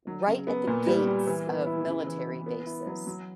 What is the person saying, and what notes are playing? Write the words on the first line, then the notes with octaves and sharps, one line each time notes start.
right at the gates of military bases.
F#3
C#3
B3
A#2
G3
G3
E3
B3
E4
C#3
E3
B3
B3
E4
F#3
F#3